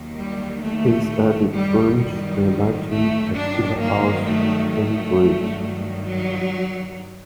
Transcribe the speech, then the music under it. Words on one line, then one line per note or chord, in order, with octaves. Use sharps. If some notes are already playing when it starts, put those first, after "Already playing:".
He studied French and Latin at Peterhouse, Cambridge.
Already playing: D#2 D#3 F#3
G3
A3
F#2 D#3 F#3 G3
G3
A3
G2 D#3 F#3 D4
A#3
A3
A3
G2 D#3 F#3
F#3